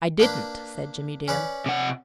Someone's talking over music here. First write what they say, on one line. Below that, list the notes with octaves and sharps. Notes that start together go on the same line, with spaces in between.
"I didn't," said Jimmie Dale.
A#3 D4 B4
C#4 B4 D5
C3 F#5